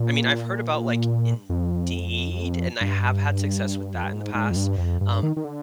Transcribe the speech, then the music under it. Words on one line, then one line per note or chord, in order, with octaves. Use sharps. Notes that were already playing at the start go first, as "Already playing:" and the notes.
I mean, I've heard about, like, Indeed, and I have had success with that in the past, um,
Already playing: A#2
F2
G2
F2
G2
G#2
G#2
F2
G2
F2
G2
D#3
D#3
D3